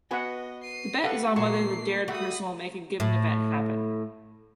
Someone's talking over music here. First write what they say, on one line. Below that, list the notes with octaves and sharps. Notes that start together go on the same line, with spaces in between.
The bet is on whether the "dared" person will make a given event happen.
B3 F#4 B4 D#5 F#5 G#5
C7 D#7
G4 A4 B4 F5 F#5
A#2 F#3 A#3 A4 C#6 C7
G3 A3 F#4 B5 D#6
A2